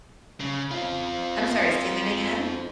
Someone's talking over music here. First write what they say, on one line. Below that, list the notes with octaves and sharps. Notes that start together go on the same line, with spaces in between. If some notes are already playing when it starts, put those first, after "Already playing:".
I'm sorry, say that again?
C#3
C4 F4